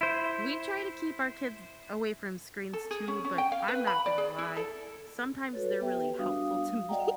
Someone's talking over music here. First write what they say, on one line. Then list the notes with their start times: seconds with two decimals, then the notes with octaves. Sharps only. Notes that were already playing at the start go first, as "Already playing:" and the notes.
We try to keep our kids away from screens too, but I'm not gonna lie, sometimes they're really helpful to me,
0.01 E4 C5
2.73 A4
2.91 G#4
3.08 C#4
3.25 C#4
3.38 G5
3.52 F5
3.68 B4
3.87 B5
4.06 D5
4.18 G#4
4.38 E4
4.57 A4
5.53 F#4 A4 B4 C#5
5.81 B3 G4 B4 E5 G5
6.19 G3 D4 F#4 F5 D#6
6.89 D5 D#5 F#5 G5 A#5